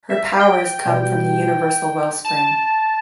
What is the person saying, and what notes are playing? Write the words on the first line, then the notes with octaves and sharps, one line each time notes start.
Her powers come from the Universal Wellspring.
E5
F5
G5
B2 G3
A5